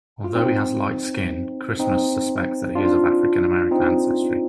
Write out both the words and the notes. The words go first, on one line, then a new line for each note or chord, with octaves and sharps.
Although he has light skin, Christmas suspects that he is of African American ancestry.
F4
C4 D#4
C4 D#4
D4 F4
C4 D#4